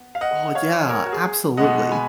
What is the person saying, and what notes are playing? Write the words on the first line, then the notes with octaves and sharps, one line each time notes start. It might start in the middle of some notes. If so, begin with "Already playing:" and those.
Oh, yeah, absolutely.
Already playing: B3
F5
D#5 F#5
C#5 F5
A#4 C#5
F#4
G#4
B2 G#3 B3 D#5 F#5
G#5 B5